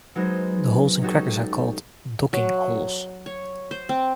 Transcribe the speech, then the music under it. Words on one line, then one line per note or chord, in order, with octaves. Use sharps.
The holes in crackers are called "docking" holes.
F#3 G#3 B3 D#4 F#4 C5
C#4 D#4 F#4 G4 A4
F#3
C#5
C5
C4